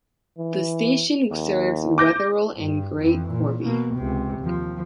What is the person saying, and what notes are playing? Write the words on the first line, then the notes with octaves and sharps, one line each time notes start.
The station serves Wetheral and Great Corby.
E3
D#2
D6 G6 A#6
G2
F2 E3
A#2
B2 A#3
C#2 C3
D#2 F3